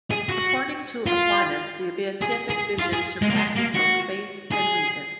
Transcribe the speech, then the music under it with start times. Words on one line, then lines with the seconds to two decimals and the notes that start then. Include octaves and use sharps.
According to Aquinas, the Beatific Vision surpasses both faith and reason.
0.11 G#4
0.29 F#4
1.06 F4
2.22 G#4
2.50 G#4
2.79 F4
2.93 G#4
3.22 G#3
3.30 A#3
3.37 G#3
3.56 A#3
3.75 F#4
4.52 G#4